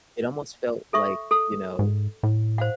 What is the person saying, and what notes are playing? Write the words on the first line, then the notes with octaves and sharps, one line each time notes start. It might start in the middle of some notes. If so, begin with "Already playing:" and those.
it almost felt like, you know,
A4 E5 C#6
A4
G#2
A2
C5 F5 F#5